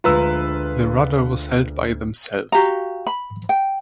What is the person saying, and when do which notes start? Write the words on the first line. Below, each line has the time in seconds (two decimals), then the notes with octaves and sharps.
The rudder was held by themselves.
0.04 D2 G#3 F4 B4 A#5 E6
2.52 F#4 G4 F5 A#5
3.07 B5
3.49 G5